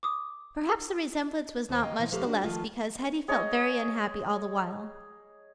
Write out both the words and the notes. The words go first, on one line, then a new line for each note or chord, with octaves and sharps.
Perhaps the resemblance was not much the less because Hetty felt very unhappy all the while.
D6 D#6
D#2 C5
D#5 F5 G5
B2 E3 B3 C4
F3 A3 G4 A4 B4 F5
C#4 D4 F#4
D#3 F3 A3 F4
G#4 C#5 D#5